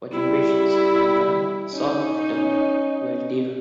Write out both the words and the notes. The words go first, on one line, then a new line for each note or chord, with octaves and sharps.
For generations, mankind sought a return to Alterra.
G3 E4
C#4 D#4